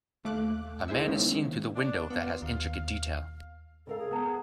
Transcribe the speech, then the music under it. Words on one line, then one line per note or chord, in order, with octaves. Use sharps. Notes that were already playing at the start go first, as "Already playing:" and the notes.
A man is seen through the window that has intricate detail.
D#2 A3 F5 D6 F#6
E4 G#4 C5 E5 E6
D#3 G#3 A#3 B3 C#4 E4
D4
B3 F4
D#2 F5
C#3 A4 A#4 F5
G#4
B3 A5 A#5 D#6